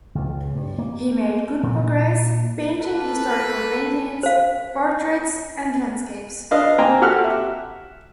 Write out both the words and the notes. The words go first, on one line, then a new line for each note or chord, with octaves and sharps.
He made good progress, painting historical paintings, portraits and landscapes.
C#2
G2
A#3
A#2
A#3 A4 B4
C5 F5
D4 B4 D#5 F5
A#3 C4 G5 G#5 A#5
F#4 G4 A4 F#5 F6 F#6
E5